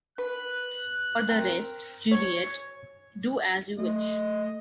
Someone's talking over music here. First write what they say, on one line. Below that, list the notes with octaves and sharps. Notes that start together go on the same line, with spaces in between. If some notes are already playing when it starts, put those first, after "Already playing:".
For the rest, Juliette, do as you wish.
B4 F#6
C4 A#4
C#5
A3 D#5